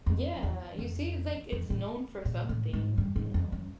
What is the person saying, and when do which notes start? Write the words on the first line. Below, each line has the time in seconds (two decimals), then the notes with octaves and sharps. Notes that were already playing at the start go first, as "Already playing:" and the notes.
Yeah, you see, it's like it's known for something, you know, s
0.06 F2
0.43 E2
0.79 F2
1.52 F2
1.70 A2
2.25 A#2
2.49 A2
2.73 G#2
2.98 G2
3.16 G#2
3.34 F2
3.52 F#2